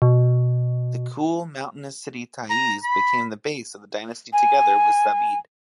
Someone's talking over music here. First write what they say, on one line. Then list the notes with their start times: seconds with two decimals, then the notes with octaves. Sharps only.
The cool mountainous city Ta'izz became the base of the dynasty together with Zabid.
0.02 B2
2.50 A#5
2.83 B5
4.33 G#5